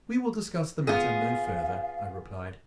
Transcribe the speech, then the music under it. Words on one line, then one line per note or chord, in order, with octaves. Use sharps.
"We will discuss the matter no further," I replied.
B3 F4 G#4 F5